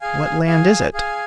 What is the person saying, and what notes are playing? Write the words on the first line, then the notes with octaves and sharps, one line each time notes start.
"What land is it?"
G#4 F5 G#5
G#4 F5 G#5
G#4 F5 G#5